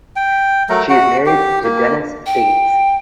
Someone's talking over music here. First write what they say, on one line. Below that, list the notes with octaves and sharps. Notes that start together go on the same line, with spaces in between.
She is married to Dennis Bates.
G5
F#3 A3 A#4
F#4 F#5
G4
A#3
G5